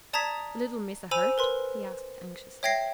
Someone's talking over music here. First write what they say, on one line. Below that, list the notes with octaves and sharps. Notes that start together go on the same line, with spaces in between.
"Little Missa hurt?" he asked anxiously.
D5 A5 A#5 D#6 G#6 B6
C5 G#5 B5 E6 D#7 F7
A#4 B4 C6
C#5 E5 G5 G#6 A#6 C7